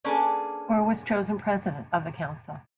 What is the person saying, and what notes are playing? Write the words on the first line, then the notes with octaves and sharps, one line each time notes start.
Orr was chosen President of the Council.
A#3 C#4 D4 G#4 A4 B4